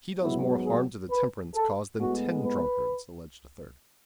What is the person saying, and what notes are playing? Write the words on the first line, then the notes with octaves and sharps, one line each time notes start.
"He does more harm to the temperance cause than ten drunkards," alleged a third.
G#2 F#3 B3 E4
G#4
B4
A4
A2 G#3 B3 F#4
B4